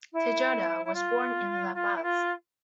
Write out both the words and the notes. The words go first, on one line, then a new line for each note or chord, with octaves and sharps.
Tejada was born in La Paz.
E4
E4
F4
F4
E4
F4